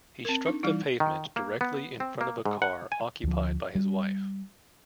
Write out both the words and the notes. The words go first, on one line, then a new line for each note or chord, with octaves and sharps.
He struck the pavement directly in front of a car occupied by his wife.
C4 A#4
D4 D#4
E3 G3 D#4 E4
D#3
A#3
B3
C4
A#3
G#2
F#5
G#5
D2 F3
G3